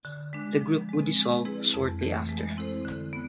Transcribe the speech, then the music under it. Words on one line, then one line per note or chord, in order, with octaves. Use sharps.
The group would dissolve shortly after.
D3
G#3 D4
F3
G#3 C4
G#3
C4 E4 G#4 B4
F2
E3 A3
G#3
C4 E4 A4 C5
D3
B3